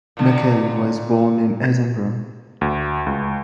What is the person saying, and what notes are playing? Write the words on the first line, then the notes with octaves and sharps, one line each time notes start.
Mackay was born in Edinburgh.
A#2 D3
D2
C#2